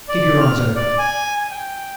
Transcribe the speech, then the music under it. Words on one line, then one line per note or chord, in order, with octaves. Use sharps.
Keep your eyes open.
D5
F6
D5
G#5
G5